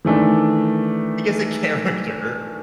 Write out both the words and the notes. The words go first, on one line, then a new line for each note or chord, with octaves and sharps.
because of character.
D#3 E3 A3 D4